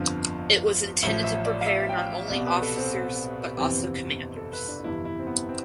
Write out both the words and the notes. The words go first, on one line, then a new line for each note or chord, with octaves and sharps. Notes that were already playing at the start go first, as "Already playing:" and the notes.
It was intended to prepare not only officers but also commanders.
Already playing: G1 F2 D3 F3 F5
A1 A2 F3 E5
E5
D5
F5
E5
G5
F5
C2 D5
B2
B4
A4
C4
B3
G1 F2 C3 E3 C4
A4
B4
D4
D4
G1 F2 C3 E3 E4
E4
C4
B3
C4